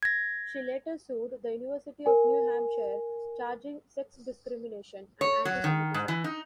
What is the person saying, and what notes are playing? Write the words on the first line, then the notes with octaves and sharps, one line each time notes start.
She later sued the University of New Hampshire charging sex discrimination and anti-Semitism.
G#6 A#6
A#4 G#5
C#5
F#3
D#3
G#2
E3
D#4